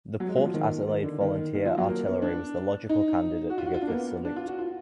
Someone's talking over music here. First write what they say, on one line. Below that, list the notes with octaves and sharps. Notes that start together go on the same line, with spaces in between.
The Port Adelaide volunteer artillery was the logical candidate to give this salute.
F#3
G#3
F#3
F3
D#3
D#3
D3
D#3
D#3
F3
F#3
A#3
B3
D4
D#4
F#4
F4
F#4
F4
D4
A#3
B3
D4
F4
F#4
F4